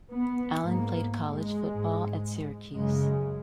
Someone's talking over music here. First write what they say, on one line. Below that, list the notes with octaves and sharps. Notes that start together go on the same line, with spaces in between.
Allen played college football at Syracuse.
B3
G#2 A#3
G#3
G#2
F#2 C#3 G#3